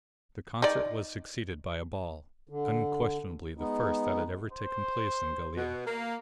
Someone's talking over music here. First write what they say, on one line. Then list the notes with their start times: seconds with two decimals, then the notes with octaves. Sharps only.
The concert was succeeded by a ball, unquestionably the first that had ever taken place in Gallia.
0.62 D#4 D5
2.49 D3
3.58 G#3 B3 D#4
4.53 C5
5.56 B2
5.86 A#3